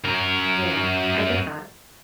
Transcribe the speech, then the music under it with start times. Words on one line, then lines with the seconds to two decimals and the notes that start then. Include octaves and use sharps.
Yeah, I get that.
0.04 F#2 A#4